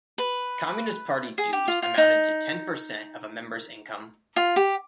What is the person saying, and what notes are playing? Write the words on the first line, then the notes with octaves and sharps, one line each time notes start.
Communist Party dues amounted to ten percent of a member's income.
B4
G#4
G4
F4
F4
D#4
F4
G4